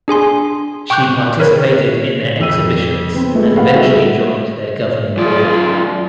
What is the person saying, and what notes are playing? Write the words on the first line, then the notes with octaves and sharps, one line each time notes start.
She participated in their exhibitions and eventually joined their governing board.
D4 G#4 G#5 C6
G5 C#6 D6 F#6 G6
A#4 B4 C#5
F2 E6 D#7
B3 C4
F3 G#3 A3 B3
G4 B4 F5 F#5
G3 G#3 F#4 A4 E5
F#2 F4 D5